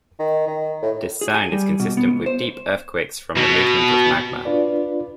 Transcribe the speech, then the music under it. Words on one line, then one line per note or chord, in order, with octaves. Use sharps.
This sound is consistent with deep earthquakes from the movement of magma.
D#3
D#3
A2
G#4
G#5
G3
B2
B3
C#2
C5
B2
D4 F4 B4 D5